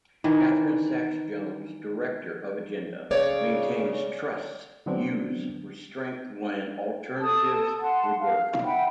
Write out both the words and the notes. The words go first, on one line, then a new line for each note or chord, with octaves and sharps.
Katharine Sacks-Jones director of Agenda, maintains trusts use restraint when alternatives would work.
D#3 E3
C#3 C#5 D5
D3 F#3 B3 C4 D4
A4 A5 D#6
F#5 A5 C6
F5
E5 F#5 G5 B5